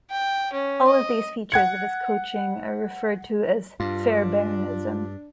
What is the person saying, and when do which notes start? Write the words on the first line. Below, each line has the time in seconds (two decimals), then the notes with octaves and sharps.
All of these features of his coaching are referred to as "Fairbairnism".
0.11 G5
0.53 C#4
0.87 D#5
1.52 F#5 G#6 C#7
3.80 G2 D4 F4